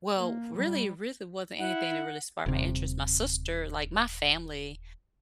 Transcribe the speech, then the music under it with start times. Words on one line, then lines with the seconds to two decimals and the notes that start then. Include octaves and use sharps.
Well, really reason wasn't anything that really sparked my interest. My sister, like my family,
0.17 A#3
0.55 G3
1.59 E4 F#5
2.46 D#1 C3